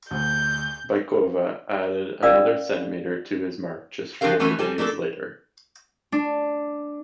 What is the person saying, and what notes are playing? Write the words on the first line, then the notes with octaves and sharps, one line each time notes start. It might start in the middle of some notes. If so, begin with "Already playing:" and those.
Bykova added another centimetre to this mark just four days later.
D2 G6
C#4 A#4 D5 F5 D#6
F3 D4 F#4 G4 A#4 F5
E3 A3 B3 C#4 F#4
G3 G#5 A5
A3 A#3 D4 G4 A4
D4